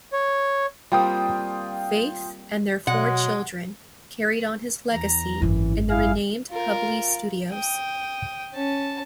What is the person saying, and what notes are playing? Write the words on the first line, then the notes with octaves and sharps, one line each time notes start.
Faith and their four children carried on his legacy in the renamed Hubley Studios.
C#5
G3 A#3 C4 F4 G5 D#6
B2 F#3 G#3 F#5
E2 A#5
G#1 F#2 E3
E4 G#4 F5
F4 A#4
G5 D#6
C#4 A5